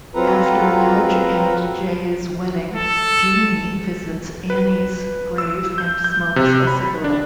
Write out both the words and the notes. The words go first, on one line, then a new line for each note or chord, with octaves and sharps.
After Madge and Jay's wedding, Jeanie visits Annie's grave and smokes a cigarette.
F#3 C4 F4 A4 B4 A#5
A4
B4
E6
G6
G6
C3
B5
D4